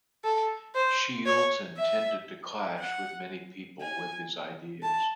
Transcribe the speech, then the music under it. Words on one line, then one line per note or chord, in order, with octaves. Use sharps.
Shields and tended to clash with many people with his ideas.
A4
C5
C#5
E5
F#5
G#5
A5